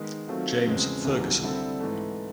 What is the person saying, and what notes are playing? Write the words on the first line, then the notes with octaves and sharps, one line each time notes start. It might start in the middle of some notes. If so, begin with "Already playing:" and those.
James Fergusson.
Already playing: D#3 G#3 B3
D#3 F#3 A3 C4 F4
E2 C#3 F3 G#3 C4
C2 C3 D#3 F#3 A#3
D3 G3 C4 E4 A4
G#2 E3 A3